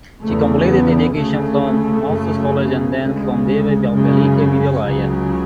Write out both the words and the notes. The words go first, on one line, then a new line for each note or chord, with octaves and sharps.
She completed education from Musaeus College and then from Devi Balika Vidyalaya.
E2 C#3 A3
B3
D2 C#3 A3
F#2 C#3
D2 C#3 G#3
F#2 C#3
C#2 C#3 F#3